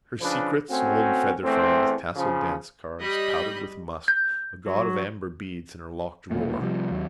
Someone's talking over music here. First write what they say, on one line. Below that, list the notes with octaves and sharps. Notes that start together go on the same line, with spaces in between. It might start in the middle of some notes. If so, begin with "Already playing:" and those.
Her secrets: old featherfans, tasselled dancecards, powdered with musk, a gaud of amber beads in her locked drawer.
C#3 F3 D4 B4
A3 C4 C#4 F#4
E2 A3 C4
C#3 F3
G3 D#5 B5
G6
F#3
E1 D#2 A#2 A3
C3 F3 G3
D#2 F#3